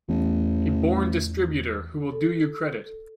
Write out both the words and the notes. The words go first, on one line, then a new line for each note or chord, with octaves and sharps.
A born distributor, who will do you credit.
A1 E2
A4